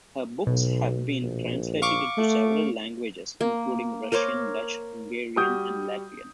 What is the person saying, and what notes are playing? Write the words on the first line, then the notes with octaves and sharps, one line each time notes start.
Her books have been translated into several languages, including Russian, Dutch, Hungarian and Latvian.
B1 B2
A#1
F5 C#6 D6
A3
A#3
A#4 C5 C#5 D6
G3 F#4 D#6 G6